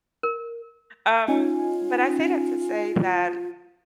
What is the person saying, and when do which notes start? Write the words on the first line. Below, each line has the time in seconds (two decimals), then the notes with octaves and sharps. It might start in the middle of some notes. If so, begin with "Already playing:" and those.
Um, but I say that to say that
0.23 A#4
1.28 C#4 D#4 F4 G#5